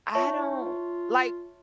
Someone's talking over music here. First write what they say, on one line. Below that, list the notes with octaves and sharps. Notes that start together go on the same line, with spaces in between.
I don't like,
F4 C#5 E5 A5 C#6
D#4
E4
D#4
F4